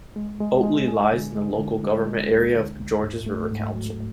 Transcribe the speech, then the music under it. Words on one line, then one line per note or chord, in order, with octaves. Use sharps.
Oatley lies in the local government area of Georges River Council.
G#3
G#3
G#3
G#4
D3
G#3
D3
G#3
G#3
D2
D3
D2
G#2
A3
G#2
F#3